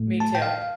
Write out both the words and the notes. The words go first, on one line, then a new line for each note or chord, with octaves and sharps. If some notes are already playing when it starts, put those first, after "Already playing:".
me too,
Already playing: A2 A3
A5
G5
F5